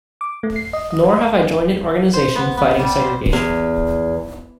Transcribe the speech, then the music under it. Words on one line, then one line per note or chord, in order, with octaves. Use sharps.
Nor have I joined an organization fighting segregation.
D6
A3
C7
D#5
D#5
C5
B3
B3
G3
C5
E2